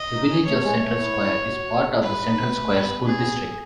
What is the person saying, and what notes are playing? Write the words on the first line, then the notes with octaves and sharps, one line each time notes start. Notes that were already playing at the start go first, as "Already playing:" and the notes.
The village of Central Square is part of the Central Square School District.
Already playing: D#5
D#4
C#4
A3 C#5
G#3
A3
E4
F#4
F#4
A4
E4 B4
D#4
A3
A3
B3
D#4
C#4 G#4
C#4
B3
A4